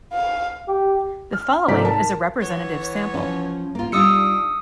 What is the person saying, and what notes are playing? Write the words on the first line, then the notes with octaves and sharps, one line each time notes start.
The following is a representative sample.
F5
G4
F6
G#2 C3 A3 D#4 D5 B6
A#4 A5
E3 B3 C#5
F3 C#4
A#3 F4
G3 D4 D#4 F4 D#6 E6 C#7